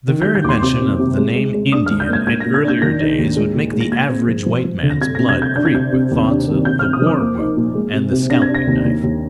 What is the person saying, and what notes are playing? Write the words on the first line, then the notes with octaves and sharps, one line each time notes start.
The very mention of the name "Indian" in earlier days would make the average white man's blood creep with thoughts of the war-whoop and the scalping-knife.
D#3
G6
G3
G6
D#2 C6 D6
C3 D6
C3
C3
G#3
G#3
G#3
D4 D#6
F6
G#2
G6
A#3 G#6
A#2 G#6
A#6
A#2
G#6
D4 G6
D#3 A#6
D#4
D#2
G#3
A#2
G#3
A#6
A#2 G#6
C4
F3
F3
F3
D3
A#6
C3 G#6
A#6
C3
G#6
C3 G6
D4 G6
G#6
C3 G6
C3
D#2
D4
D#3
C3 G6
F6
C3
D#6
F3 D6
A#3
D#4
A#2
G#3
C3
C3
D4 A#6
G#6
D4
A#6
D#2
D#2
D#2